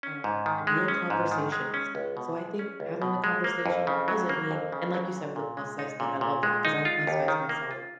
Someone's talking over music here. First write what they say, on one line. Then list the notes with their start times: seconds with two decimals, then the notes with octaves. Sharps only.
um, real conversations. So, I think having the conversation doesn't mean and like you said with the plus size thing, I love that 'cause I'm plus size myself.
0.03 C#4
0.24 G#2
0.46 D#3
0.67 G#3
0.88 C#4
1.10 G#2
1.31 D#3
1.52 G#3
1.74 C#4
1.95 C#2
2.17 B2
2.37 G#3
2.59 C#4
2.80 C#2
3.02 B2
3.24 G#3
3.44 A#3
3.66 F2
3.87 C#3
4.08 F#3
4.29 A#3
4.51 F2
4.72 C#3
4.94 F#3
5.15 A#2
5.36 A#2
5.57 G#3
5.79 D#4
6.00 A#2
6.21 A#2
6.43 G#3
6.65 D#4
6.85 F4
7.07 D#2
7.28 D#3
7.49 A#3
7.71 F4